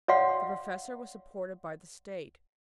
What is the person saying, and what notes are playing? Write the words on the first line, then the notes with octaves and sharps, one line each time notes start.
The professor was supported by the State.
C#5 D5 F5 F#5 C6